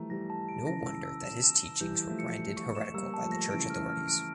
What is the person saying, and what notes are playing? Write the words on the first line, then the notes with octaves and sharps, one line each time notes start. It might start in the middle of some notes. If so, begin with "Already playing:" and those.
No wonder that his teachings were branded heretical by the church authorities.
Already playing: E3 F3 G3 A3 A#5
E3 G3 A#6
A5
D7
C#3 E3 A#6
E6
E6
E7
E6
E6
E3 G3 G6
A5
F3 A3
C#7
C#7
C#6
E7
G3 A#3 E6
A5
F3 A3
A#6
C#3 E3 D7
F6
C#3 E3
F6
D7